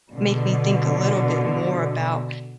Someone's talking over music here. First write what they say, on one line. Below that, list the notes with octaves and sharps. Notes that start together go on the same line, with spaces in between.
make me think a little bit more about
B2 D3